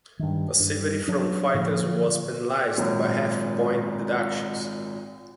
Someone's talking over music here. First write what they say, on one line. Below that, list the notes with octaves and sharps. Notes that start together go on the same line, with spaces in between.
Passivity from fighters was penalized by half point deductions.
G2 D#3
G2
F#3 D4
A2 D3 F3 A#3
G#1 A#2 F#3